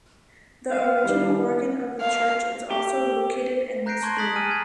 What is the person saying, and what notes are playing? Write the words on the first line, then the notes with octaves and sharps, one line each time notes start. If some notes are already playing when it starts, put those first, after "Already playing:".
The original organ of the church is also located in this room.
F5
D#3 G3 E4
F5
G4
A#5 F#6 G6 A#6 C7 D7
A5 C6 C#6 G6 G#6 A#6
C6 D#6 F#6 A6 B6 F#7
G#5 C#6 D#6 F6 D#7
A#5 G#6